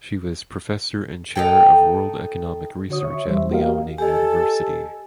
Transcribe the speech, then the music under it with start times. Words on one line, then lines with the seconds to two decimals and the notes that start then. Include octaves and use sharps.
She was professor and Chair of World Economic Research at Liaoning University.
1.35 D#4 A4 G5
2.89 D3 F#4 C#5 D#6
3.03 C#5 E5 C#6
3.26 E2 E3 G3 C5 E5
3.50 A#3 F#4 G4 A#4 D#5 F5
3.98 G4 A4 D#5 G#5